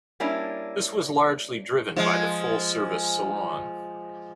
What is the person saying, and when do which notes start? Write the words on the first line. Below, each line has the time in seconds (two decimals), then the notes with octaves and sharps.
This was largely driven by the full-service salon.
0.20 G3 A#3 C#4 D4 E4
1.96 F3 G#3